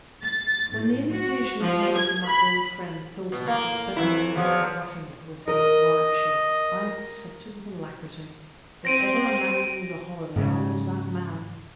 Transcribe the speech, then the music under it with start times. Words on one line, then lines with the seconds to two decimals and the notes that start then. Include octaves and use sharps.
When the invitation came from my old friend Hilton to spend a week "roughing it" with him in Warwickshire I accepted with alacrity. If ever a man needed a holiday I was that man.
0.24 A6
0.71 A2
1.11 F#4
1.63 F3
1.96 G#6
2.25 B5
3.32 B2
3.46 A2 A#3
3.96 F2 E3 E4
4.36 E2 F3 F#3
5.48 A#4 D#5
8.85 C4 A#6 D7 D#7
10.36 G#2 C#3